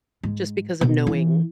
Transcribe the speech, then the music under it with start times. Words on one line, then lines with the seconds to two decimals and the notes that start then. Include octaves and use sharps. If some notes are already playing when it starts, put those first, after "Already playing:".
just because of knowing
0.23 G#2
0.81 B2
1.07 E3